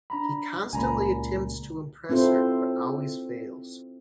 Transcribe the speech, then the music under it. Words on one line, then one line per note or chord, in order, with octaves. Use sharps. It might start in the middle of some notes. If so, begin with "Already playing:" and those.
He constantly attempts to impress her but always fails.
D4 A#5 B5
C#2 A#2 G#5 A#5 B5
C4 E4 F4 A4 C5